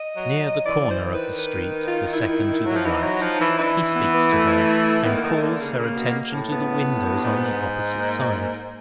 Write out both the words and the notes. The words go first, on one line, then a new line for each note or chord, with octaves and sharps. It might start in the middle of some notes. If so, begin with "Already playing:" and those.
Near the corner of the street the second to the right, he speaks to her, and calls her attention to the windows on the opposite side.
Already playing: D#5
F#3
E3 D5
E3 C5
D#3 B4
B4
B4
F4
E4
F#3
F3
E3 D#4
F#3
F3
E3
E3 D4
B3
B3
A3
D#3 B3
A#3
D#3
A3
D3 A#3
C#3
C#3
B2
A2
B3
G2
G#2
A#3